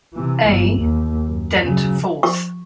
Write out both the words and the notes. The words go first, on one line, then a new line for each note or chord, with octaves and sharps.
A. Dent fourth.
C3 E3
G1
D#2
F#2
C#3 F#3
C#6